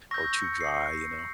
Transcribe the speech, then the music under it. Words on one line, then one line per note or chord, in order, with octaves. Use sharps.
or too dry, you know?
C#6 E6 G6 A#6
C#7
C7